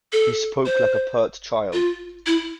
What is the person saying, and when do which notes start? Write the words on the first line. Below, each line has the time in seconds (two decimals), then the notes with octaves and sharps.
He spoke like a pert child.
0.13 A4
0.66 C5
1.73 F4
2.27 E4